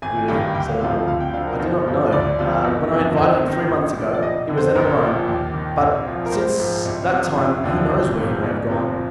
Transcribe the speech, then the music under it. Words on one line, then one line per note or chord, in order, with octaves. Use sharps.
"Really," said Albert, "I do not know; when I invited him three months ago, he was then at Rome, but since that time who knows where he may have gone?"
G#1 G#5
G2 D#3
D2 G5
F5
C3 F3 F5
D2 F5
G5
D3 F3 F5
A#4
G1 C5
G2 F3
D2 D5
C3 F3
G1
F2 C3 F3
C2 C5
C3 D#3
A#1
A#2 F3
D5
F1 D#5
F2 D3
C5
A#1 A#4
A#2 F3
D#2
D#3
C2
A#2 F3
A#4
A#1 C5
G#2 F3
C2
C3 F3
F1
D#2 D3 F3
G#1
G#2 F3
G1 D5
F2 C3 F3